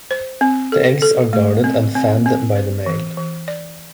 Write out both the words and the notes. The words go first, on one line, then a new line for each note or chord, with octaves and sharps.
The eggs are guarded and fanned by the male.
C5
C4
A4
A4
A3
C4
C4
C4
C5
E3
E3
D5